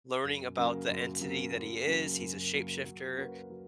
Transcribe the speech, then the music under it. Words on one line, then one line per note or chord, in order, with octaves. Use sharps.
learning about the entity that he is, he's a shapeshifter,
F#2
C#3 F#3 A#3
F#2
C#3 F#3 A#3
F#2
C#3 F#3 A#3
F#2
C#3 F#3 A#3
F#3
A#3 C#4 F#4 B4
F#3